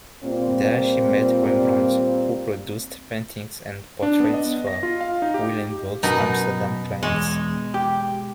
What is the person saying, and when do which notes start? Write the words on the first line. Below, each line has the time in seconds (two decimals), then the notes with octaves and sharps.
There she met Rembrandt, who produced paintings and portraits for Uylenburgh's Amsterdam clients.
0.22 A#2 G3 C4 F4
4.03 D4
4.20 B3
4.34 D#5
4.67 A#6
4.83 F4
5.01 F5
5.22 D#4
5.34 G4
6.03 F#2 B2 D#4 A#4
7.03 E2 G#3
7.74 G4